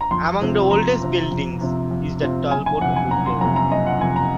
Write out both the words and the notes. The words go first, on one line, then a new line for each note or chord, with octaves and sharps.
Among the oldest buildings is the Talbot Hotel.
A#5
F2 C6
C3 F3 C4
F2 A#5
C3 F3 C4
F2
C3 F3 C4
F2
C3 F3 C4
F#1 G#5
G#5
F2 C3 F#5
G#5
F#1 A#5
C6
F2 C3 A#5
A#5
F#1 D#5
F#5
F2 C3 G#5
A#5